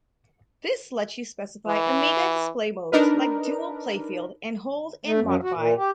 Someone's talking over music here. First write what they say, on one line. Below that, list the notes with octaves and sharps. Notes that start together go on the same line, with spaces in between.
This lets you specify Amiga display modes like "dual playfield" and "hold and modify".
E3
D4 D#4 A#4 B4
A3
F#2
F#4
A#2
G4